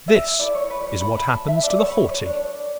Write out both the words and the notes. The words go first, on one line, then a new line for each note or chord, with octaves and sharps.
This is what happens to the haughty.
E5
E4 A4 D5
C#5
B4
D5
C#5
E4 A4 B5
B5
A5
E5
D4 A4 D5
C#5
B4
C#5
C#5
D4 A4 D5
C#5
D5